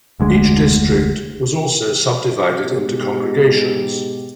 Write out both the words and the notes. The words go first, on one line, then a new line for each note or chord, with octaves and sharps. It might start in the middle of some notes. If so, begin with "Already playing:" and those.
Each district was also subdivided into congregations.
F1 D2 G#3
G#2 B2 G4